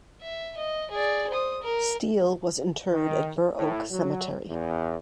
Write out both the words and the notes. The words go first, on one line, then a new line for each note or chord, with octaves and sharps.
Steele was interred at Burr Oak Cemetery.
E5
D#5
G#4 D5
C5 D#6
A#4
D#3
A2
F#3
E2